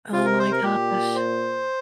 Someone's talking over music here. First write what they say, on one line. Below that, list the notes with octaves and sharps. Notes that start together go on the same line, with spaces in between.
Oh my gosh.
C3 F4
A#4
C5
A#4
A#2 G4
C5